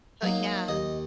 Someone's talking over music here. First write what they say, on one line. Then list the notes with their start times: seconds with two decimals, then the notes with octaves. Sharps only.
So yeah.
0.22 F#3 A#3 D#4
0.68 D#2 D#5